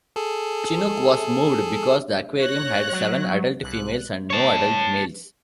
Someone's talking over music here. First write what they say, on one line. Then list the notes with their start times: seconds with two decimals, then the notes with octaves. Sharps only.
Chinook was moved because the aquarium had seven adult females and no adult males.
0.16 G#4 A4
2.39 C#5 F#6 A#6
2.92 F#3
3.63 C2 F#6
4.30 C#5 A5